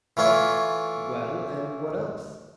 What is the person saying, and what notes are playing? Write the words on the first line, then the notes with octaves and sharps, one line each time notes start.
"Well--and what else?"
E3 A3 F4 C#5